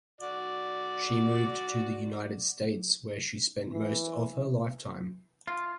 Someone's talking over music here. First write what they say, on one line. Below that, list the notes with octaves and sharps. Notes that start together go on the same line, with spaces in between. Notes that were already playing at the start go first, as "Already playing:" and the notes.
She moved to the United States where she spent most of her lifetime.
F#4 D5
E3
F4